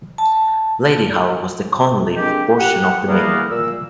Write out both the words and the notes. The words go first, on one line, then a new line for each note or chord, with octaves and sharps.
Ladyhall was the Cunliffe portion of the manor.
A5
G#3 A#3 C4 D4 G4
G4 F#5
E2 G3 A#3 B3
A#2 E6